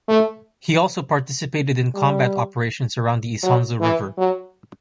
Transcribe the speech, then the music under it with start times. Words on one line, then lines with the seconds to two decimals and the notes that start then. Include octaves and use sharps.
He also participated in combat operations around the Isonzo river.
0.08 A3
1.94 G3
3.43 F#3
3.80 E3
4.17 F#3